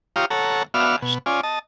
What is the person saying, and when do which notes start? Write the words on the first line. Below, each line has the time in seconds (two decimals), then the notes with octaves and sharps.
Oh gosh.
0.16 F4 G4 C#5 F5 A#5 D#6
0.31 A4 C#5 F#5 A#5
0.74 B3 F#4 D5 E5 F5 F6
1.02 B2
1.26 C#4 F4 D5 G#5
1.43 D#5 A5